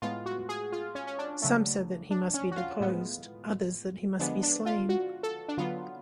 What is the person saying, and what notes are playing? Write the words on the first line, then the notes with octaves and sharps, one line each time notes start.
Some said that he must be deposed, others that he must be slain.
A2 G#3 B3 F4
F#4
G#4
F4
C#4
C#4
D4
C#3 F#3 A3
D4
C#4
F#4
F4
A2 G#3 B3
D3 F3 G#3 B3 D4
D4
F4
F#4
A4
D4
D3 F#3 B3 F4